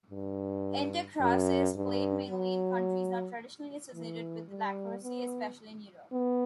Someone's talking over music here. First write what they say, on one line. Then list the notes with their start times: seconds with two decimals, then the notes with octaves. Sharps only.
Intercrosse is played mainly in countries not traditionally associated with lacrosse, especially in Europe.
0.11 G2
1.20 F#2
1.75 G2
2.30 F#3
3.94 E3
4.49 G3
5.03 B3
6.13 B3